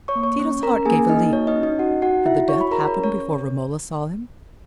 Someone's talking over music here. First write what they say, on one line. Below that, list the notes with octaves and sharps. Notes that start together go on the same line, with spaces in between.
Tito's heart gave a leap--had the death happened before Romola saw him?
C#5 C#6
A#3
C#5 C#6
C#4
C#4 A#4 A#5
A#3 G#4 G#5
A#3 D#4 D#5
F#4 C#5
D#4 D#5
C#4
D#4 D#5
F#4 F#5
D#4 F#4 F#5
E4 F#4 E5
F#4 C#5 C#6
B5
G#4 A#4 A#5
C#5
C#4
C#5